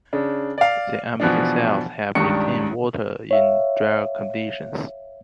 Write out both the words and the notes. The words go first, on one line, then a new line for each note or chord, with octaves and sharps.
The empty cells help retain water in drier conditions.
C#3 D4
D5 F5
B2 E3 F3 D4
C#2 G2 D#3 D4 C#6 C#7
C#5 E5 F5